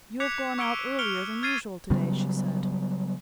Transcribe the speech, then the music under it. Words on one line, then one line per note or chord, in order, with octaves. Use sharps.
"You have gone out earlier than usual to-day," she said.
D6 F#6 G#6 B6 C#7 F7
C#6 E6 C#7 D7 G7
F6 C#7 D7 F7 G7
F6 G#6 A6 C7 D#7
C#3 F#3 G3 B3